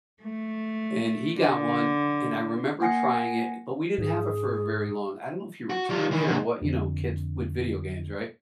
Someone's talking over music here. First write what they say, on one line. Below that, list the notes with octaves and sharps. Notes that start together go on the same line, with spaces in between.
and he got one, and I remember trying it, but we didn't have it for very long. I don't know if he returned it or what, you know, kids with video games, right?
A3
D3
A#3 F#5 G#5 A#6 C7 C#7
G#2 G#4
F#4
G3 F4
D#3 E3
A#2 D3
F2 D3